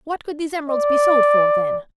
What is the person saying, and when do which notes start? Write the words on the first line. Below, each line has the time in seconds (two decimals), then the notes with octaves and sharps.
"What could these emeralds be sold for, then?"
0.70 D5